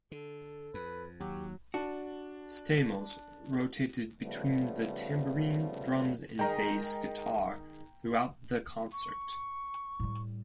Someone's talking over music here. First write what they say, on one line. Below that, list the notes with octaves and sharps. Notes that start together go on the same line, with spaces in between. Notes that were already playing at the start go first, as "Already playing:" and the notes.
Stamos rotated between the tambourine, drums, and bass guitar throughout the concert.
D3 A4
F2 B4
D#2 F#3 G4
D4 F#4
C#3 F3 G3 A3 B3
D#3 G#3 G5 A#5
C#6
A2 G3